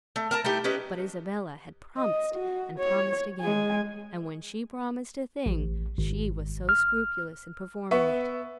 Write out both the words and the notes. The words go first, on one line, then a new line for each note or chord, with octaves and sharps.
But Isabella had promised and promised again; and when she promised a thing, she was so scrupulous in performing it!
A3
A#4 A5 A#5
A3 D#4 E4 G4
C#4 G4 B4 D#5
D#5
F#4
C#5
G#3 G#5
A1
G#1
F6
B3 E5 C#6